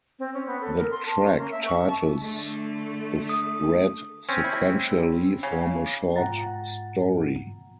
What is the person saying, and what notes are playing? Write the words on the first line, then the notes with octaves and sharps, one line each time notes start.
The track titles, if read sequentially, form a short story.
C4
C#4
B3
A4
A#4
C6
A5
C#4
A#3
E5
C#6
A5
D3 A3
D#6
C4 C#4
E4
C#3
G#2 F4 F#5 G5 A#5 A6